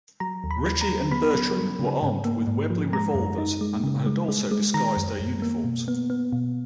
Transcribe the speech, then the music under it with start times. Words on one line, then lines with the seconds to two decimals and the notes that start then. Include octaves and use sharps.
Ritchie and Bertram were armed with Webley revolvers and had also disguised their uniforms.
0.20 F#3 A#5
0.44 D#2
0.51 B5
0.66 D#2
0.81 A#5
0.89 F#3
1.11 B3 B5
1.34 F#3
1.57 F#3
1.79 C#3
2.02 G#2
2.25 A#3
2.47 G#2
2.70 F3
2.93 G#3 A#5
3.15 F#2
3.38 D#4
3.61 G#3
3.84 C#3
4.06 G#3
4.28 G#3
4.51 G#3
4.74 D#3 A#5
4.97 F#2
5.20 F#2
5.42 A#3
5.64 B2
5.88 B3
6.10 B3
6.33 B2